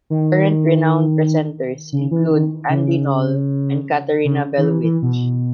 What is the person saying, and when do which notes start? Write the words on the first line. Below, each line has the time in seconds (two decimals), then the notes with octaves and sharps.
Current renowned presenters include Andi Knoll and Katharina Bellowitsch.
0.10 D#3
1.92 C#3
2.11 E3
2.31 D#3
2.69 C#3
4.25 C#3
4.58 D#3
4.64 E3
4.83 E3
5.02 B2